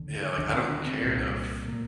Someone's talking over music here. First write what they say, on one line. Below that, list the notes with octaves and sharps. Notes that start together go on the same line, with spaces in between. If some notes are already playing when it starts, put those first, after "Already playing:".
Yeah, like, I don't care enough,
Already playing: D#2 D3
D#2 D3 D4
C4
D4
C4
C2 A#2
A#2 A#3